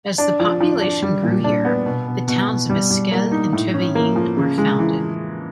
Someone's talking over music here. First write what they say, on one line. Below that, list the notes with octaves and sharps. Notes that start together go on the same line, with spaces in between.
As the population grew here, the towns of Esquel and Trevelin were founded.
D4
F3
F3
D4
G3
A#2
D4
B3
B2
B2
B2
B2
G3
G3
A#3
D#4
A2
C#4
A#3
F3
C#3
G#3
E3